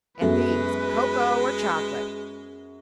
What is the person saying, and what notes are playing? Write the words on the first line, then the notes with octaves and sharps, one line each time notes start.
And these,--cocoa or chocolate.
F#2 G#3 B3 A4 B4 E5